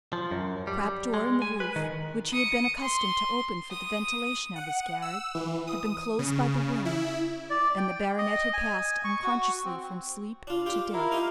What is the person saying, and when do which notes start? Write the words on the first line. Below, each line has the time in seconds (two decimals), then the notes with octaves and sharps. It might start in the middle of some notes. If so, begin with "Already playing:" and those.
A trap-door in the roof, which he had been accustomed to open for the ventilation of his garret, had been closed by the wind, and the baronet had passed unconsciously from sleep to death.
0.13 F3
0.31 F#2
0.67 G3
1.14 G#3
1.42 G#5
1.60 B4
1.76 D#3
2.33 D#6 C#7
2.82 C6
3.71 D#6
4.56 F#5
5.02 E6
5.35 E3
5.67 D#6
6.19 C#3
6.85 E4
7.50 D5
7.78 G5
8.18 D#5
8.53 G#5
9.04 C#6
9.23 F#4
9.64 C4
10.47 D4 F4
10.66 F4 G4 D6
10.93 E4 A#4 F5
11.12 D#4 F4 G4